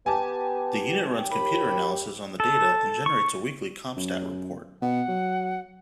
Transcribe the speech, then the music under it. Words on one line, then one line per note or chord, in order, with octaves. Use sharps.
The unit runs computer analysis on the data and generates a weekly CompStat report.
B3 G4 G#5 A5
D#2 B5
A4
C#6
F#2
B2 F#5
F#3